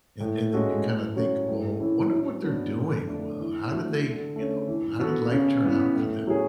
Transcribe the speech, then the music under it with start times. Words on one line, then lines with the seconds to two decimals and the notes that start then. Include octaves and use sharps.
And and then you kinda think, "Well, wonder what they're doing, wha how did they," you know, "how did life turn out for them?"
0.20 A2
0.52 G#3 C#4 F#4 A4
0.84 A2
1.16 F#3 C#4 F#4
1.48 A2
1.80 E3 A3 C#4 E4
2.12 F#3
2.44 B3 D4 F#4
2.76 D3
3.07 A3 D4 A4
3.40 E3
3.72 A3 D4 F#4 A4
4.04 D3
4.36 A3 C#4
4.67 E3
4.99 B3 F#4 A4
5.32 C#3
5.63 E3 B3
5.95 A2
6.27 F#3 C#4 G#4